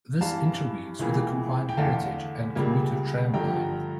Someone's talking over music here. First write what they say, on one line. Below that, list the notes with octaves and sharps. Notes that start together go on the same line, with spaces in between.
This interweaves with a combined heritage and commuter tramline.
G2 E3 G3 F5 A5
C#2 C#3 E3 A#3
G5
E2 D3 A3 F5 A5
C#2 C#3 G3 A#3
G2 D3 F3 A3 G5 A#5